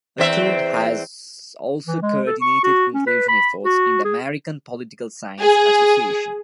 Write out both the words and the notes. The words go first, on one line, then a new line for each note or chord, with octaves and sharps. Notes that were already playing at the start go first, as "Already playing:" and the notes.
Htun has also coordinated inclusion efforts in the American Political Science Association.
E2 C4 E5
E3
G#3
A4
C#6
F#4
C#4
B4
B5
F#4
G#4
G#4